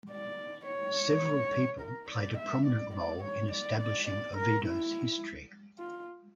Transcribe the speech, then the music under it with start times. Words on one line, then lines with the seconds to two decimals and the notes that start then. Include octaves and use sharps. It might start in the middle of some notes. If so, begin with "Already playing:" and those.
Several people played a prominent role in establishing Oviedo's history.
0.10 D5
0.67 C#5
1.81 A#4
2.10 D5
2.39 E5
2.67 D5
2.96 D5
3.24 C#5
3.52 D5
3.81 D5
4.09 D5
4.37 A#4
4.66 E4
5.79 F4